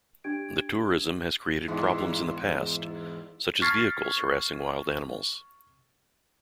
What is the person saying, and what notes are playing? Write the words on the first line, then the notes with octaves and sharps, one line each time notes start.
The tourism has created problems in the past, such as vehicles harassing wild animals.
D4 G4 G#6 D7
E2 G#2
C#6 F6 G#6 A6 B6 C7